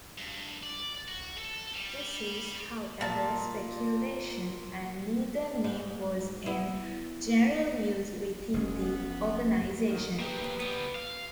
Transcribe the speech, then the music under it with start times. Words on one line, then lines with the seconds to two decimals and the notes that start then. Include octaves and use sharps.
This is, however, speculation, and neither name was in general use within the organization.
0.18 G2
0.63 D5
1.08 F#4
1.38 A4
1.74 G3
3.01 A#2 A5
5.64 G#2
6.46 B3 E4
8.54 F1 F2 G#3 C#4 G#4
8.82 B3
9.88 D#2 D#3 F#3
10.20 A#3 G4 B4
10.60 G3 B3
10.95 F5